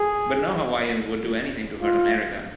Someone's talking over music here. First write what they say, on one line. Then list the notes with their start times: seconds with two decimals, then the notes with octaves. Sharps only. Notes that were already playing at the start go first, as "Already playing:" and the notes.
But no Hawaiians would do anything to hurt America.
Already playing: G#4
1.81 F4